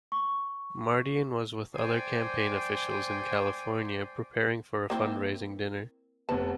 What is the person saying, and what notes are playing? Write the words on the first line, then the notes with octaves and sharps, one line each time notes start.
Mardian was with other campaign officials in California preparing for a fundraising dinner.
C#6
C5 D5 G5 G#5
A#3 C4 E4
F1 B3 A5